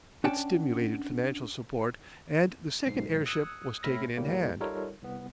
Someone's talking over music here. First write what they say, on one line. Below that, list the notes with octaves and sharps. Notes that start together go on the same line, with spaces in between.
It stimulated financial support, and the second airship was taken in hand.
C#4 D4 F#5 G5 A5
B1 G#2 C7
D#6 E6 F#6 G#6 C#7
A2 E4 E5 B5 F6 A#6
D#2 A2 G3 A#3
G3 D#4 F4 A4 A#4 C#5
C2 B3